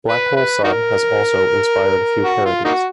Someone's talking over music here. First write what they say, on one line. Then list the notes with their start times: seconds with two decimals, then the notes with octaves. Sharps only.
"Black Hole Sun" has also inspired a few parodies.
0.09 B4
0.36 B4
0.64 D#4 F#4 A#4
2.24 F#4
2.45 F4
2.65 A#3 D#4 F#4